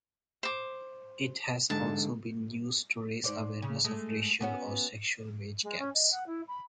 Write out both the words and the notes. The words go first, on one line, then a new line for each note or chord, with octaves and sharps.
It has also been used to raise awareness of racial or sexual wage gaps.
C5 D6
G#2 D3 A5
G#2 C5 D5
C#3
G#3 A3
B3 C#4 F#4
G#3
C#4
D#5
F#5
E4
B5